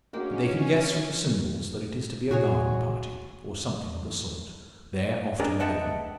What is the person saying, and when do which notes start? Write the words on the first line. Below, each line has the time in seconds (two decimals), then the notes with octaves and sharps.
But they can guess from the symbols that it is to be a garden party, or something of the sort, there often given.
0.13 G#3 A#3 C#4 D4 F#4 G4
2.31 A#2 F#4 G#4 C#5
5.40 D4 G#4 A#4 D5
5.59 B4 D#5 E5 F#5 G5 A5